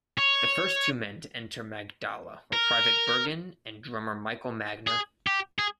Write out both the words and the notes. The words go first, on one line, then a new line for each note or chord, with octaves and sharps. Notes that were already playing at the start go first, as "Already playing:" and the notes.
The first two men to enter Magdala were Private Bergin and Drummer Michael Magner.
C#5
A#4
G#4
G4
G#4